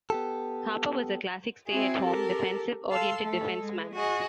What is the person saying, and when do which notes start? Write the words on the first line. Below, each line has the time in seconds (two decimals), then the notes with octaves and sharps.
Harper was a classic stay at home defensive oriented defenceman.
0.10 B3 G4 A4
1.67 C4 E4 F#4 G#4
2.00 G4 A4 A#4
2.89 A4 F5 A5 C6 E6
3.22 A3 A4
3.61 G#3
3.95 F#4 G#4 D#5